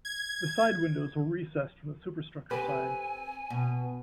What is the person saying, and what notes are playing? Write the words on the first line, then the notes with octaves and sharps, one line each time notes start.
The side windows were recessed from the superstructure sides.
G#6
C4 G4 B4 G#5
B2